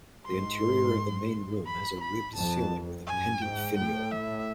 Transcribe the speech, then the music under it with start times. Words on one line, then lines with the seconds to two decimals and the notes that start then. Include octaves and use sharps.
The interior of the main room has a ribbed ceiling with a pendant finial.
0.25 G#2 C6
1.67 B5
2.01 B5
2.36 F2 A5
3.07 F#2 G#5
3.41 G#2 G5
3.77 A2 G5
4.12 E5